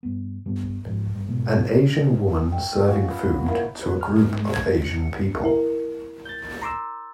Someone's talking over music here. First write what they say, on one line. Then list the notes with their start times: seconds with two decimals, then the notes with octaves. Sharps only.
An Asian woman serving food to a group of Asian people.
0.03 G2 B3
0.46 G2 G3 B3 D4
0.86 G#2 F3
1.14 G2
1.28 G#2 B2
2.52 G5
2.88 F4 F#4 G#4 C#5
3.10 B4
3.48 A#3 E4 F4
3.83 B4
4.01 F6
4.28 G#2
4.40 G#3
4.53 G#6
4.85 C#7
5.44 E4 A#4
6.25 G6 A6
6.62 A#5 C6 D6 E6